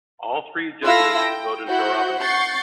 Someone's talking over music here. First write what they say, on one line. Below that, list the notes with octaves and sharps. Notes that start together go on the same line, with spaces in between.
All three judges voted for Robinson.
E4 F4 A4 F5 E6 A#6
G5
E4 F#4 C5 F#5 G6
F#5 C#6 G6 A6 C7